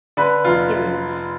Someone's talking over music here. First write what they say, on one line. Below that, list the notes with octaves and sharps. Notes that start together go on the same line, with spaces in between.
"It is."
D3 B4
F1 F4
F4